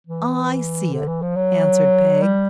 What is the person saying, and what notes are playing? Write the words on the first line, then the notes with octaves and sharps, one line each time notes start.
'I see it,' answered Peg.
E3
D3
E3
F3
F#3
G3